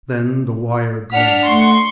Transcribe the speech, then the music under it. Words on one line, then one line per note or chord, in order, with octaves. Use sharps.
Then the wire glowed.
D4 F#5 F6 B6
A3 C6 C#6